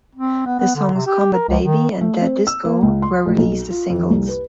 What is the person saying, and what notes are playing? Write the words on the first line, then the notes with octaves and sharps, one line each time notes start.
The songs "Combat Baby" and "Dead Disco" were released as singles.
C4
B3
B3
D3
C3
G4
A#4
C#2
D#3
A3
C4
E6
A#3
C#2
C6
A1
B1
F4
F2
C2
B4